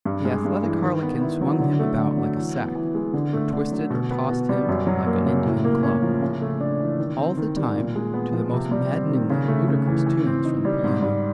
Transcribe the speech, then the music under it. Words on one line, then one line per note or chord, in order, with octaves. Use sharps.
The athletic harlequin swung him about like a sack or twisted or tossed him like an Indian club; all the time to the most maddeningly ludicrous tunes from the piano.
G2
G#3
G2
E3
D#3
B3
E4
F#3
D3
A3
D3
F#3
E3
B3
E3
G#3
D3
A3
D3
F#3
B2
B3
B2
G3
F#2
F#3
A#3
C#3
A2
A#3
C#4
F3
C#3
A3
D4
E3
D#3
C4
D#3
G3
A#2
G#3
B3
F3
C3
G3
C4
D#3
C#3
A3
C#3
E3
E3
C4
D#4
G3
G#2
G3